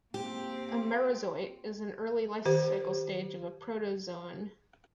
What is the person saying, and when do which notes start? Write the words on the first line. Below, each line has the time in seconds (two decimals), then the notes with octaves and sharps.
A merozoite is an early lifecycle stage of a protozoan.
0.14 A#3 C4 G4
2.46 D#3 G4 C5